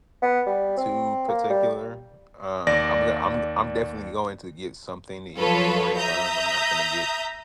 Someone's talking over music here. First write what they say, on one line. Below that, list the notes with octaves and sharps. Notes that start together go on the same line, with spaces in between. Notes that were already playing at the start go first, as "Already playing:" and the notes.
too particular. Um, I'm g I'm I'm definitely going to get something to eat in the morning time, I'm not gonna get
B3
G3
C4
A#3
G3
D#2 D5 A#6
F3 F#3 F4 A4 B4 C#5
E5 A#5 D#6 G6